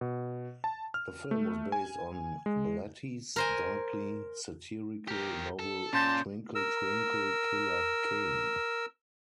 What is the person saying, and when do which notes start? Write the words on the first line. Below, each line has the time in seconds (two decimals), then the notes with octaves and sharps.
The film was based on Blatty's darkly satirical novel "Twinkle, Twinkle, "Killer" Kane".
0.01 B2
0.64 A5
0.94 F6
1.31 A3
1.72 G#5
2.46 G#3
3.36 A#4 C5 G#5
5.08 G4 A#4
5.59 A4
5.93 A#2 C#4 A5 C6 G6
6.55 A#4 E6